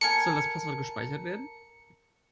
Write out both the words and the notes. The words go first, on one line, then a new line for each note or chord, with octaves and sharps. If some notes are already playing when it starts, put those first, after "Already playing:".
Soll das Passwort gespeichert werden?
A4 A#4 G#5 C#7